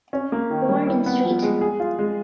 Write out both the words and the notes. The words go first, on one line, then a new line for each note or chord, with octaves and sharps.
Born in St.
C#4
A#3
D#3
G3
E4
B3
F3
G#3
G#4
F4
G#3